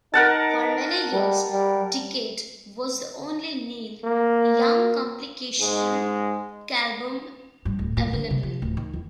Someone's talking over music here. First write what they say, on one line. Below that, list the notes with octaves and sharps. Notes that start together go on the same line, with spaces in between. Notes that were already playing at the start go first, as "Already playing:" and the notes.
For many years, "Decade" was the only Neil Young compilation album available.
D#4 A#4 F#5 A5
G3
G3
A#3
G#2 G#3
G2
D1
A#2
D3
C3
F3
D1
D#3
E2